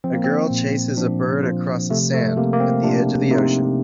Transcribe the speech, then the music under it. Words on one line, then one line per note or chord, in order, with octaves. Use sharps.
A girl chases a bird across the sand at the edge of the ocean.
F3 C4
A#3
C4
A#2
F3 D4
F3
C3 A3
A3
C3 A#3
A#3
C4
C3 D4
C3 D#4